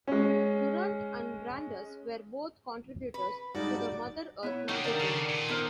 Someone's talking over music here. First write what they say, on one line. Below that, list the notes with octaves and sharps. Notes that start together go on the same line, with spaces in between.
Durant and Brandes were both contributors to the "Mother Earth" magazine.
G#3 C#4
B4
G2 G3 G#3 D#4 F#4 D5
B3 E4 C#5
C3 G3 D#4 G4 F#5
D#3 A#3 D4 D5
C#3 A4
A#2
B3 D#4 A#4 C5